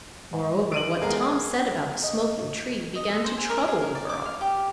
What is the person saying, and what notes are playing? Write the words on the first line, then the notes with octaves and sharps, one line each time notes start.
Moreover, what Tom said about the smoking tree began to trouble the girl.
G#2
D4 D7 D#7 F#7
D#2 G#2 G#3 B3 G#4 A#4
D#5
D#5
A4
C5
G#5
A#4
G#4
A#4
D5
D6
F5
G4